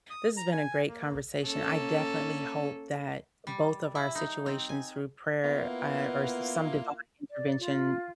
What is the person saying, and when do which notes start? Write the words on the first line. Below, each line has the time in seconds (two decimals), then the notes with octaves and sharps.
This has been a great conversation, I definitely hope that both of our situations through prayer, a or some divine intervention
0.10 D#6
0.37 A#5
0.52 G#5
0.88 A#3
1.44 A#3 C#4 A4
3.47 G3
3.95 E4
4.15 D#4
4.46 C4
4.69 G#5
5.44 A#3 B3 E4 F4
7.30 D5
7.60 F4